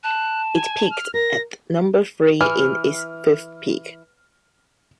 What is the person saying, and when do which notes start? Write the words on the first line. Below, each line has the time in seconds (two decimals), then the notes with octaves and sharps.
It peaked at number three in its fifth peak.
0.04 A5 F#6
0.54 G#5
0.91 F6
1.14 A#4 A#6
2.41 E3 F6